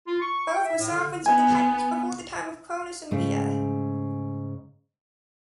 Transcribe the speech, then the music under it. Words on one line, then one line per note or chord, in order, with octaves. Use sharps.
Both were sovereigns of the Titans, before the time of Cronus and Rhea.
F4
C#6
G5
E5
A2
D3
B3 G#5
G#2 C#3 A3